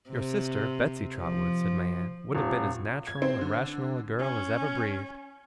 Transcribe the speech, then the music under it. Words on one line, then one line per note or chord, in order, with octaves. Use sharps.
'Your sister, Betsey Trotwood,' said my aunt, 'would have been as natural and rational a girl as ever breathed.
C3
F3
D#1
G#6
C4
D3
C#4